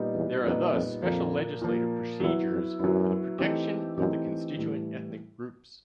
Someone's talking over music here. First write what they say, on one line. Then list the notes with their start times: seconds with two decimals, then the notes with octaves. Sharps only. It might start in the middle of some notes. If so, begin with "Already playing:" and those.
There are thus special legislative procedures for the protection of the constituent ethnic groups.
Already playing: A#2 G3 B3 D#4
0.14 E2
0.44 F2 A#2 G3 B3 D#4
0.73 F2
1.02 F2 A#2 F3 A#3
1.61 A#2 F3 A#3
2.20 E2 F#3 B3 E4
2.51 F2
2.79 F#2 F#3 B3 E4
3.39 E3 A3 C4 D#4 G4
3.97 F#2 E3 A3 C4 D#4 G4
4.57 A2 E3 G3